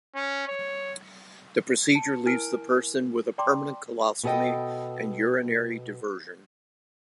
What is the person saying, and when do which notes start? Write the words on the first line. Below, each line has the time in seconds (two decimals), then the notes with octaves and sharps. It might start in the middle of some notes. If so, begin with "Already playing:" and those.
The procedure leaves the person with a permanent colostomy and urinary diversion.
0.15 C#4
0.48 C#5
1.93 A5 C#7
2.26 E4 A#4 G#5 F6 D7
3.38 D5 G5 A#5 C6 D6
4.24 B2 B3 G#4 A4 D#5 G5